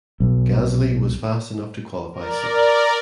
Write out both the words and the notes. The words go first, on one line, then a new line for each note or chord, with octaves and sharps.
Gasly was fast enough to qualify sixth.
B1
A#4 D5